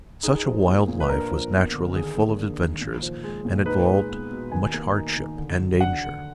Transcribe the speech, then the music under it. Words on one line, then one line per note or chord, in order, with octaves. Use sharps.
Such a wild life was naturally full of adventures and involved much hardship and danger.
D#4 G#4
F3
A#3
A#2
B4
D4 A#4
F3
B3
D3
D#3 G#4
A#3
D4
D#3
A#2
F3
G#3
A#2
D#4 B4
G#3
B3
B2
D#3 G#5
A#3
D#4
D#3
D3
F#3
D4 F#5
D3